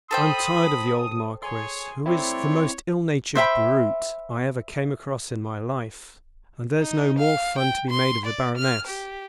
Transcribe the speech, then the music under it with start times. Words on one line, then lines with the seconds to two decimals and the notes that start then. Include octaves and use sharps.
I'm tired of the old Marquis who is the most illnatured brute I ever came across in my life, and there's no more fun to be made of the Baroness.
0.11 A4 C5 G5 B5 D#6
1.43 G#4 C#5 G#5 C6
2.06 A3 C4 E4 C#5 D5 C6
3.35 C5 E5 G5 B5
6.80 D#4
7.18 F5
7.58 G5
7.90 C6
8.26 D5
8.57 F6
8.87 G4